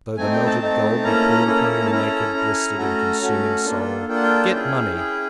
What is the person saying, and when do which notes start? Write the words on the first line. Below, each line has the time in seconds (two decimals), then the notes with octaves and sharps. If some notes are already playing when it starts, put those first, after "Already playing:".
Though the melted gold be poured upon your naked, blistered, and consuming soul--get money!
0.17 A3 C4 D#4 G#5
0.32 G5
0.46 A5
0.60 A3 C4 D#4
1.04 A#3 C#4 E4 A4 A#5
1.47 A#3 C#4 E4 A4
1.86 A5
1.91 C#4 E4 A4 A#5
2.34 C#4 E4 A4
2.78 A3 C#4 F#4 A4
3.21 A3 C#4 F#4 A4
3.65 A#3 D4 F4 A4
4.08 A#3 D4 F4 A4 G5
4.15 F#5
4.23 G5
4.51 C#4 E4 G#4
4.95 C#4 E4 G#4